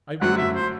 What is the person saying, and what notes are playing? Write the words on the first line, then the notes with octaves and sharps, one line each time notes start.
"I believe you."
F#2 D3 F#3 A3 C4 F#5
E5
C5